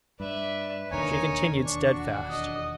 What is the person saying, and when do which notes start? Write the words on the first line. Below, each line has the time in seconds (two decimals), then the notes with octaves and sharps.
She continued steadfast.
0.20 G2 B4 D5 E5
0.91 E1 D#2 D3 D#4 A#4 C#5 G#5
1.65 D4 C#6
1.94 F#4
2.31 D#5